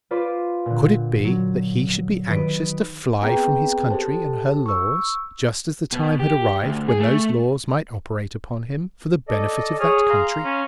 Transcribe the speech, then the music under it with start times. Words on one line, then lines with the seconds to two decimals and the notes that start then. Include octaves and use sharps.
Could it be that he should be anxious to fly from his country and her laws, just as the time had arrived when those laws might operate upon him for the benefit of that country?
0.11 F4 B4 C5 D5 C6 D6
0.66 A#2 D3
1.25 F#3
2.29 D#3 B4 D#5 D7
3.22 B3 C4 G#4 B4 G5 A#5
3.91 G4 A4 C5 A5
4.66 C#6 E6
5.93 B2
6.20 G4
6.64 D2
6.88 G#4
7.00 A3
9.28 A4 D5 D#5
9.80 G#4 C#5 F6
10.10 F5 A#5 C6
10.45 C#4